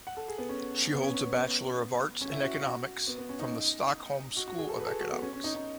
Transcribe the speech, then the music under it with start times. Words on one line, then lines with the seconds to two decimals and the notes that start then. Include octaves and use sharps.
She holds a Bachelor of Arts in economics from the Stockholm School of Economics.
0.07 F#5
0.17 A4
0.28 G#4
0.38 B3
0.49 C#4
0.92 B3
1.03 C#4
1.14 C#4
1.24 B3
1.35 B3
2.21 C#4
2.32 E4
2.43 F#4
2.54 F#4
2.65 F#4
3.07 B3
3.18 B3
3.29 C#4
3.40 D#4
4.37 F#4
4.48 F#4
4.58 G#4
4.69 A4
4.79 B4
4.86 A4
4.90 G#4
5.01 F#4
5.12 B3
5.22 C#4
5.33 C#4
5.44 D#4
5.55 D#4